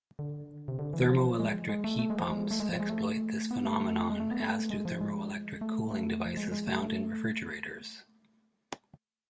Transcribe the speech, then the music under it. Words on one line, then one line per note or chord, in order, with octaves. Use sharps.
Thermoelectric heat pumps exploit this phenomenon, as do thermoelectric cooling devices found in refrigerators.
D3
C3
D3
E3
F3
G#3
G#3
A3
A3
G#3
F3
G#3
A3
G#3
F3
G#3
A3
B3
A3
A3
G#3
A3
B3
A3
G#3
F3
G#3
A3
A3
F3
G#3
G#3
A3
A3